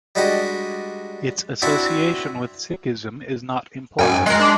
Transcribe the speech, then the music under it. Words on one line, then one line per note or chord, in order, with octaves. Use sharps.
Its association with Sikhism is not implied.
G3 G#3 D4 F#4 G4 D#5
C4 D4 E4 F#4 E5
F#2 G5 G#5
G#3 A#4 C7
D4